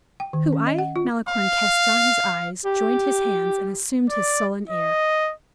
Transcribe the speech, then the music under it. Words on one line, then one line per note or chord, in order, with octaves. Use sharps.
"Who, I?" Malicorne cast down his eyes, joined his hands, and assumed his sullen air.
G5
D#3
C#4
D#5
F#5
F4
F5
G4
D5
D#5